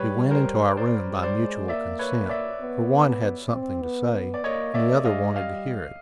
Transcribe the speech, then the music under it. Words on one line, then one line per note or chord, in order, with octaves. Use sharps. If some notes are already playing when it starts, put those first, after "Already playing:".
We went into our room by mutual consent, for one had something to say, and the other wanted to hear it.
Already playing: G3 B4 C#5
A#4 C5
C5 D5
G3
C5 D5
G#3
A#3 D5 E5
B4 C#5
D5 E5
B3
C4
B3
B3
D5
A#3 C#5 D#5
A#3 D5 E5
G#3 D#5 F5
G3 D#5 F5